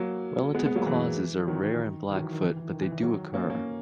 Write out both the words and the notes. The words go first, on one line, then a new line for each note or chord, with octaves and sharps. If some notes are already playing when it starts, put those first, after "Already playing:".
Relative clauses are rare in Blackfoot but they do occur.
Already playing: F#3 A#3
G#3 B3
G#3 B3
F#3 A#3
E3
D#3 F#3
E3
D#3
D#3
F#3
E3
D#3
E3
E3
D#3
E3
E3
D#3 F#3
A#3 C#4
A#3 C#4